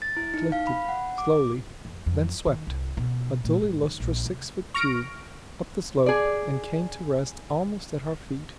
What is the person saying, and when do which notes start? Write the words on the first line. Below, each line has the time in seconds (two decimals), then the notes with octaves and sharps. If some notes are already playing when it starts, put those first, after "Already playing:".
It lifted, slowly; then swept, a dully lustrous six-foot cube, up the slope and came to rest almost at our feet.
0.02 A6
0.17 E4
0.34 D#4
0.52 F5
0.67 B5
0.89 F#5
1.18 D6
1.85 F2
2.06 F2
2.47 D#3
2.67 C2
2.97 B2
3.44 A#2
3.62 G#2
3.83 D#3
4.00 A#1
4.26 C3
4.74 C#6 F6 A#6 D7
6.06 G#4 D5